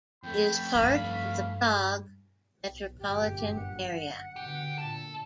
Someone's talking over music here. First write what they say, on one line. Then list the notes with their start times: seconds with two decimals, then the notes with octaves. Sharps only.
It is part of the Prague metropolitan area.
0.23 F2 A3 G5 B5
0.75 G2 F5
2.62 B1
2.99 G1 F#2 A#2 G4
3.56 F#5
4.36 B2 D3 G4
4.78 A#2 A4